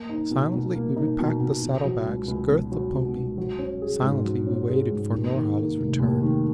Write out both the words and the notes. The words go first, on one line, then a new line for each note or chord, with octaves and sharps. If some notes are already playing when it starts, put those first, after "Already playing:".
Silently we repacked the saddlebags; girthed the pony; silently we waited for Norhala's return.
Already playing: A#3
D#4
B2
B2
A#3
D#4
B2
B2
B2
F#3
C#2
C#2
B2
F#3
C#2
C#2
F#3
C#4
G#4
G#2
F#3
C#4
G#4
G#2
D#2
D#3
A#3
F1
D#2
D#3